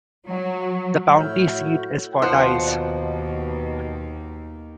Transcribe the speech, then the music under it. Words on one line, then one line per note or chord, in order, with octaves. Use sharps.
The county seat is Fordyce.
F#3
A2 E4 F#4 C#5 F6 G6
D#2 B2 D#3 F3 C5 F#5